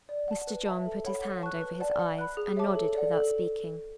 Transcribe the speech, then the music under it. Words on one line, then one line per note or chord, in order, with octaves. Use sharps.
Mr. John put his hand over his eyes and nodded without speaking.
D5
F#5 A5
B4
E5 A5
A4
C#5 F#5 B5
F#5
A5 C#6 F#6
B4
D5 F#5 A5
F#5
B5 F#6
G#4
C#5 E5 A5 D6
A4
D5 F#5
A4